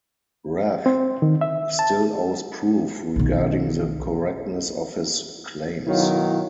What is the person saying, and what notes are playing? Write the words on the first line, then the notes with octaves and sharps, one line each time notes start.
Rath still owes proof regarding the correctness of his claims.
C4
D#3
E5
A5
B1 D#3
B1 D#3 F#3 E4 C#5 F5